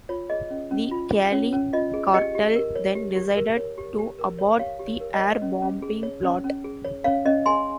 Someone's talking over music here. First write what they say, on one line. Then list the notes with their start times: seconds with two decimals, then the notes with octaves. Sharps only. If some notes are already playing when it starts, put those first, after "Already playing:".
The Cali Cartel then decided to abort the air bombing plot.
0.09 F4 C#5
0.30 G#4 D#5
0.50 C#4
0.71 C#4
0.91 F4
1.12 G#4
1.32 C#4 C#5
1.53 C#4
1.73 F4 D#5
1.94 G#4
2.14 G4 D#5 G5
2.35 G4
2.55 A#4
2.76 C#5
2.95 G4
3.16 G4
3.37 A#4
3.57 C#5
3.78 G4
3.98 G4
4.19 A#4
4.39 C#5
4.59 G4 C#5 F5
4.79 G4
4.87 C#5
5.00 A#4
5.14 D#5
5.21 C#5
5.42 C#4
5.62 C#4
5.82 G#4
6.03 C#5
6.23 C#4
6.44 C#4
6.64 G#4
6.85 C#5
7.04 C#4 C#5 F5
7.25 C#4 D#5
7.46 G#4 G#5 C6